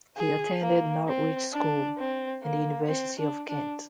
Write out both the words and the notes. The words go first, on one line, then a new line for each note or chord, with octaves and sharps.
He attended Norwich School and the University of Kent.
G#4
A#3
C4
D4
C4
A#3
C4
D4
D4